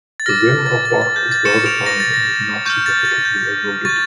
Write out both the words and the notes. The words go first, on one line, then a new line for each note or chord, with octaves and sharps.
The rim of Bok is well-defined and is not significantly eroded.
A6
D6 F6 A#6
A6
A6
A6
G6
A6
C#6 F6 C#7 E7
D7 F7
A#6
A6
A#6
C#6 F6 G6
A6
A6
G6
C#6 G6 A6